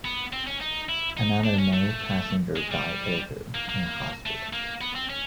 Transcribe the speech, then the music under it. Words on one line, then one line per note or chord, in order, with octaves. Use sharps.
Another male passenger died later in hospital.
B3
C4
C#4
D#4
E4
D#4
D4
C#4
A3
G#3
G3
A#3
A#3
A3
A#3
B3
C4
C#4